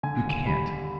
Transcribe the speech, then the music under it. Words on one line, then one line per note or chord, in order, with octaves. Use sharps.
You can't.
D3 G#5
D#2
G3 B5